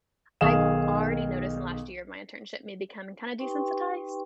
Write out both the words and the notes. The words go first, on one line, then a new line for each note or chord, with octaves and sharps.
I've already noticed in the last year of my internship me becoming kinda desensitize,
B1 D#3 G#4 F5 E7
D#4 G4 B4 G5 C6 C#6